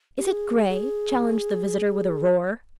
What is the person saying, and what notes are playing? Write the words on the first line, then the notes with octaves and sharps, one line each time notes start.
"Is it grey!" challenged the visitor, with a roar.
G4
G#4
G#4